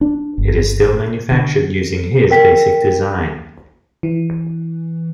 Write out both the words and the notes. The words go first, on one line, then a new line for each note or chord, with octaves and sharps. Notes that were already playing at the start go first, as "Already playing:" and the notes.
It is still manufactured using his basic design.
D4
G1
D3
A#4 G5 B6
E3